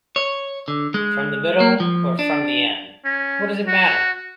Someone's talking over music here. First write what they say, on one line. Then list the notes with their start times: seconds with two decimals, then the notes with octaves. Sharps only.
From the middle or from the end — what does it matter?
0.16 C#5
0.68 D3
0.94 G#3
1.60 A#3
1.80 F3
2.19 D4
3.05 C#4
3.68 F#4